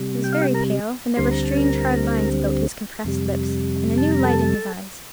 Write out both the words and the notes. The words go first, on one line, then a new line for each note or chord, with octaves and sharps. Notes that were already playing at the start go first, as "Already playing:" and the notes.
He was very pale, and there were strange hard lines about his compressed lips, and a new light in his eyes.
Already playing: C3 G3
G5
F5
G4 G5
A#4 A#5
D2 D3 G3 C4 C6
A#5
A5
A#4 A#5
F2 C3 G3
A5
A#5
A4 A5